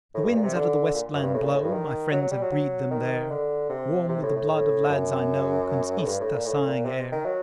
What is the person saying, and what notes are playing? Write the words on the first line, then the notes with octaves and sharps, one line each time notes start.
The winds out of the west land blow, My friends have breathed them there; Warm with the blood of lads I know Comes east the sighing air.
A2
G2
A#2
C3
D3
A#2
F#2
G2
A2
A#2
A2
G2
D#3
F#3
F#3
G3
F#3
F#3
D#3
D3
C3
C3
A2
A2
A2
F#2
A2
G2
A2
A#2
A2
A#2
C3
D#3
F#3